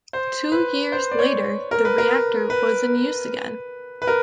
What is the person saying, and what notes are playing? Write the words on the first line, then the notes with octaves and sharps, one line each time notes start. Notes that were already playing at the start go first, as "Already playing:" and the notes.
Two years later the reactor was in use again.
C5
B4
C5
D5
C#5
A#4
B4
A#4
B4
B4
A#4